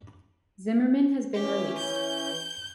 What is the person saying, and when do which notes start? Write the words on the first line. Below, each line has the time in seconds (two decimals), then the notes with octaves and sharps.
Zimmermann has been released.
1.33 E3 C#4 G4
1.77 G6